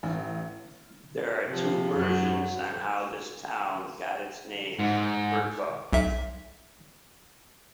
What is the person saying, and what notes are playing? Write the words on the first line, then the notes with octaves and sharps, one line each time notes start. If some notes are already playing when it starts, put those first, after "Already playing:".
There are two versions on how this town got its name as "Bucay".
A1
C3 F3
F#2 F#3
G#2
B1 E5